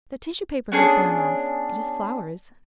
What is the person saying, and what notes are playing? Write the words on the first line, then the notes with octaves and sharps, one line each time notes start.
"The tissue paper has blown off: it is flowers."
B3 C#4 D4 G#4